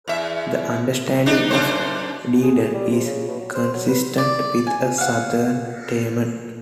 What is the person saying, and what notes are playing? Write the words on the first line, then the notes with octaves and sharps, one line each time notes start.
This understanding of Dedan is consistent with a southern Teman.
E2 E5
D4 D#4
F#2 D4 C5
G#4
G3
C3
C#3
B2
F#3
C5
F#3
B4
D5
G#5
F5 F#5